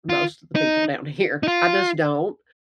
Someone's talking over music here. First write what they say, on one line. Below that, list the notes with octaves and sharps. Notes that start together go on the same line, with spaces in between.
most of the people down here, I just don't.
F4
D#4
D#4
F4